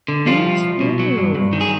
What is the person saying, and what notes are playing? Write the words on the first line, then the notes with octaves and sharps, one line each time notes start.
Me too,
D3
F3 G3 F4
C2
C2
B2
F#3
G2
G2
D#3
G#4